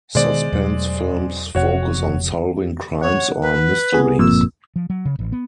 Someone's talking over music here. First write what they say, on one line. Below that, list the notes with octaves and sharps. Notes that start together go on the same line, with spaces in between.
Suspense films focus on solving crimes or mysteries.
B2 D#3 G#3 B3 C5 D5
E2 B2 F#3
F1 F2 C3 F#4 C#5 F#5
C#5 F#5
B4
B3 G#4
G1 F2 A#2 E6
F3
F#3
C#3
A1
B3